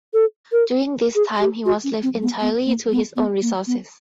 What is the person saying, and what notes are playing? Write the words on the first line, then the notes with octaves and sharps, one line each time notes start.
During this time he was left entirely to his own resources.
A4
A#4
G#4
G4
F#4
C#4
C4
B3
B3
A#3
B3
B3
A#3
B3